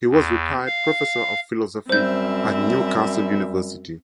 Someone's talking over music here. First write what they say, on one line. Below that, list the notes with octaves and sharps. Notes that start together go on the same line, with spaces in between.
He was a retired Professor of Philosophy at Newcastle University.
E2
F5
F#2 G3 C4 C5 E5 G6